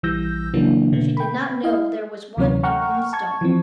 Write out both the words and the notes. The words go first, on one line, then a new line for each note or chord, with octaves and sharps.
She did not know there was one in Moonstone.
A#1 E3 G3 E6 G6 A#6
C#3 E3 F#3 A#3 D4
B2 D3 A3 B3
G5 B5
E4 D#5 F5
D2 C3 E3 F#3 C#4 C#5
F#5 G5 A#5 C#6 F6
A5 C#6 G#6
E3 F3 C4